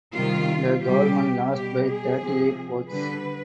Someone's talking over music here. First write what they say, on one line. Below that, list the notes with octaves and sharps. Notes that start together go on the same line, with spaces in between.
The government lost by thirty eight votes.
C3 D#3 G3 F4
B2 G3 G4
B2 G3 G4
G#4
C3 F3
D3 G3 B4